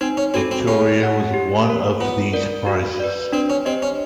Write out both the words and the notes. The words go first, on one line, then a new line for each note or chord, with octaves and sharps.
"Victoria" was one of these prizes.
C4 D#4
C#4
C4 F#4 A4
C4
C#4 G#4
C#5 F#5
G4
A#4 C#5
B3 F4
A#4 D5
F#4
B4 D5
C4 D4
C#4
C4 G4 C5 D#5
C#4